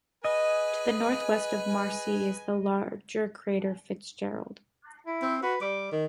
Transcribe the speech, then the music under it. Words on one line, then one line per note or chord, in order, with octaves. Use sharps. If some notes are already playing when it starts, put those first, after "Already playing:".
To the northwest of Marci is the larger crater Fitzgerald.
G#4 B4 D#5 G#5
E4
C4
F#4 B4
G3 D6
D#3